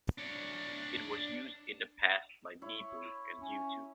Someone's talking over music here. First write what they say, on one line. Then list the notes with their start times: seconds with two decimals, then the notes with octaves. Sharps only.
It was used in the past by Meebo and YouTube.
0.18 D4 C#5
2.62 E4 C#5
3.41 C#4